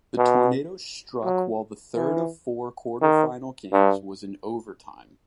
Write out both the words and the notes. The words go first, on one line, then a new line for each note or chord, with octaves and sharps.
The tornado struck while the third of four quarterfinal games was in overtime.
B2
F#3
E3
D#3
G2